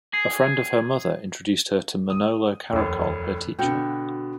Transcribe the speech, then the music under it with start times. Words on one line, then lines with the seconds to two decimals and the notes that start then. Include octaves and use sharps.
A friend of her mother introduced her to Manolo Caracol her teacher.
0.13 G#4
2.10 D#6
2.72 F1 D#2
3.59 B2 D3 F#4 G5